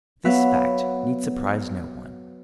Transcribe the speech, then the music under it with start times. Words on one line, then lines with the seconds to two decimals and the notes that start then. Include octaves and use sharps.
This fact need surprise no one.
0.25 F#3 B3 B4 E5 F5